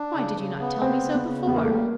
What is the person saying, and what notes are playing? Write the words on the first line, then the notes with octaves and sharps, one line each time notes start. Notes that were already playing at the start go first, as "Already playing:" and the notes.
Why did you not tell me so before?
Already playing: D4
C#3
C#3
B3
C#3 C4
C#3
B3
C#3
E2 B3
A#3
A3
G3
A#3